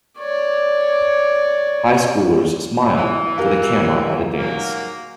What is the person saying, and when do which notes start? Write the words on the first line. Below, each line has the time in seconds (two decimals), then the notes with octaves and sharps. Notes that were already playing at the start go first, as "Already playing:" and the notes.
Highschoolers smile for the camera at a dance.
0.19 C#5 D5
2.96 E3
3.38 G4 A#4 F5
4.37 G#2 F#3 A#3